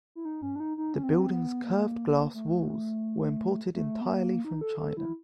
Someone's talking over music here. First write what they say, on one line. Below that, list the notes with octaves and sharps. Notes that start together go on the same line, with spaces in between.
The building's curved glass walls were imported entirely from China.
E4
D#4
C#4
D4
D#4
D#4
C#4
C4
B3
C4
B3
A#3
A3
A3
B3
A#3
D#4
A4
A4
E4